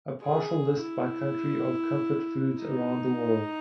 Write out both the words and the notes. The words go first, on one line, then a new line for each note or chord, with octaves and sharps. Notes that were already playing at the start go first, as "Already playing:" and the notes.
A partial list by country of comfort foods around the world.
G#4
E4
D#4